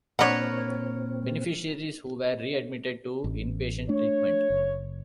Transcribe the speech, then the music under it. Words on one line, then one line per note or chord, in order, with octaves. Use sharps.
Beneficiaries who were readmitted to inpatient treatment.
A#2 C4 D4 A#4 B4 C#5 F#5
A1
A3 D4 C#5
F#1